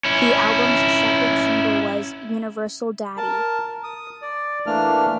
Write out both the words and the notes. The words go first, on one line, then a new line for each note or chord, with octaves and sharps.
The album's second single was "Universal Daddy".
C#4 E4
A#4 A5
D#6
D5
E3 A3 A#3 D4 F6